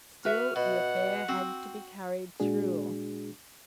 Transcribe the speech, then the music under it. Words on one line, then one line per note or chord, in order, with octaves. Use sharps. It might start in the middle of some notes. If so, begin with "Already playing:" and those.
Still, the affair had to be carried through.
F#4 B4 E5 F6
B2 F#5
C4 F#4
A#2 G#3 D4 F#4 G#4